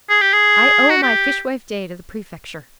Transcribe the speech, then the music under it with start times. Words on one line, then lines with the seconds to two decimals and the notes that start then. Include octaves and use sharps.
"I owe my fishwife day to the prefecture."
0.10 G#4
0.21 G4
0.33 G#4
0.91 F#4
1.03 G4